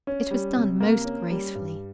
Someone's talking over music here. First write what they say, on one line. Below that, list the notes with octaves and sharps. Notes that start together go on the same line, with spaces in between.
It was done most gracefully.
C#4
G3
C3
A#3
C#4
G3
G2